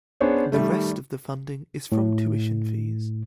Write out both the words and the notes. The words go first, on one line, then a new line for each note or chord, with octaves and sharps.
The rest of funding is from tuition fees.
B3 C#4 D4 G#4 C5 C#5
D#3 G3 A3
A2